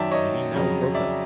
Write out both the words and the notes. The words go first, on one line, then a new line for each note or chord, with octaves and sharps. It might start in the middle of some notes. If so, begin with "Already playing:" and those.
The meeting now broke up.
Already playing: F#2 D#3 F#3 D5 E5 G5 A5
C#5 D#5
F2 C#3 F#3
D5 E5